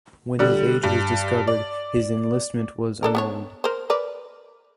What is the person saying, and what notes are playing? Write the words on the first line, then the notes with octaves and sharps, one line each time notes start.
When his age was discovered his enlistment was annulled.
D3 G3
G2
D5
D4 A4 A#4
B3 D4 C#5
A#4 C5
A#4 B4 D5